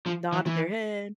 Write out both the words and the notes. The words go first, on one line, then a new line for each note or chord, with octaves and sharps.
Nodded their head.
F3
E3
E3